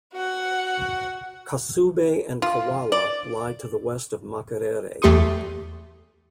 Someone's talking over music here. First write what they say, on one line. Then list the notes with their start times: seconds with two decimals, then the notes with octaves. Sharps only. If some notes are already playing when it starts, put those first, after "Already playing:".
Kasubi and Kawaala lie to the west of Makerere.
0.13 F#4 F#5
2.42 F4
2.92 D5
5.02 E2 A3 G4 C6 C#6 D#6